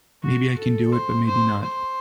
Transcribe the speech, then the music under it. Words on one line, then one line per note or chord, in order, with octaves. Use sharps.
Maybe I can do it, but maybe not.
F#4
A4
C5
C5
C5